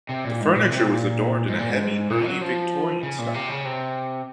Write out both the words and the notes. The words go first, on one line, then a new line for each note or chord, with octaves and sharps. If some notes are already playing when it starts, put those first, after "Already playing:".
The furniture was adorned in a heavy Early Victorian style.
C3
A#2
G#2
A#2
C3
A#2
G#2
A#2
G#2
A#2
F#3
F3
C#3
A#2
C3
C#3
C3